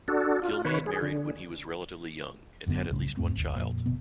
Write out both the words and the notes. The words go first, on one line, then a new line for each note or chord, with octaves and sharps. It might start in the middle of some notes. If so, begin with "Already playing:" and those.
Kilmaine married when he was relatively young and had at least one child.
D4 F#4 A4
F4
D#3 B4 C#5
G#4
D3
F#1 F#2 D3 B3
C2 F#2 A2 C#3
E2 G#2 A3 C4
F#1 D2
F2 A#2
G1 B2 B3